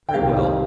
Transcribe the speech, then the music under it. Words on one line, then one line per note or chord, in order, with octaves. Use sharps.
Very well.
G5
C2 C3 D#3 G3 A#3 F5